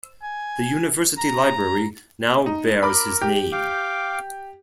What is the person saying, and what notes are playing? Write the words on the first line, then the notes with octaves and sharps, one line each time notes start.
The university library now bears his name.
G#5
A#5
D#4
A#4 B5 D6
G4
F5 G5 D6